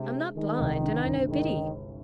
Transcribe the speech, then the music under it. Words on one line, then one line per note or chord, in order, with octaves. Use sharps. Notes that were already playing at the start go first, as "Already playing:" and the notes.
'I'm not blind, and I know Biddy.
Already playing: C3 G#3 D4
G#3
D#3 G#3
C2
D3
G1
D#3 G#3